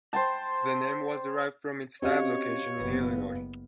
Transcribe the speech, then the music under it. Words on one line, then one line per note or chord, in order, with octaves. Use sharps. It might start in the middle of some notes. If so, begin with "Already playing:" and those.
The name was derived from its type location in Illinois.
C5 G5 A5
C4 C#4 F#4 G4 C#5 D#5 F5
F#1 B3 B4